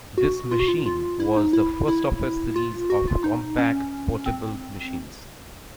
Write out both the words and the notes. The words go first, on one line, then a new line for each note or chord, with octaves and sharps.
This machine was the first of a series of Compaq Portable machines.
F#4
F4
F#4
F4
F4
E4
D#4
E4
E4
F4
F#4
F4
D#4
C#4
C4